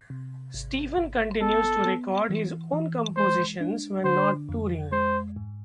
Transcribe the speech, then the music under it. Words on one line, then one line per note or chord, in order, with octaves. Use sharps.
Steven continues to record his own compositions when not touring.
C3
G#1
G#1
B3 A4
B3
E3
E3
G#3 C5
D4
D3 C5
F2
G#3 C5
G#2